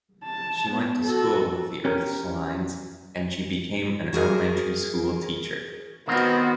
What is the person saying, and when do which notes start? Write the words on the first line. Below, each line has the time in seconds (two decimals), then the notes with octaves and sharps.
She went to school with the Ursulines and she became an elementary school teacher.
0.24 A5
0.70 B3
1.04 F#4 A4
1.85 C#4 G4 A#4
4.13 F#4 G#4 A#4
6.08 D#3 B3 C4 F#4